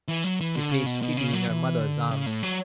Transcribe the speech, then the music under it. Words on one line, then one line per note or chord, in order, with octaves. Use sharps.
He placed Kitty in her mother's arms.
E3
F#3
E3
D3
C#3
B2
B2
C#3
F#3
E3
D3
C#3
A2
F#3